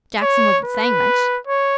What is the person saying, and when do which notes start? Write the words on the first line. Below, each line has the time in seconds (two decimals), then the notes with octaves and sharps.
'Jackson wasn't saying much.
0.23 C#5
0.65 B4
1.47 C#5